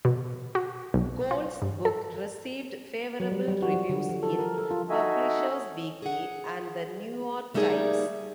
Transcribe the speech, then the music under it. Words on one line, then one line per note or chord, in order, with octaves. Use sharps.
Gould's book received favorable reviews in "Publishers Weekly" and "The New York Times".
B2
F#4
B1
F4
G2
A4
F#3
G3
G3
F#4
F3
D3
F3
A4
A#4
A4
F4
D#4 F#4 A4 D#5 E5 G#5
G#4 F#5
G3 A3 A#3 D#4 G#4 D5